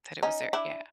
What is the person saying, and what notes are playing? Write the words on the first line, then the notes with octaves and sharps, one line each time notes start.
That it was there. Yeah.
C#4 D#4
D4 E4